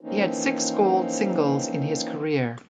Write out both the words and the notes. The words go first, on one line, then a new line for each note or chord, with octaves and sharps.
He had six gold singles in his career.
E3 F3 A#3 C4 C#4 D#4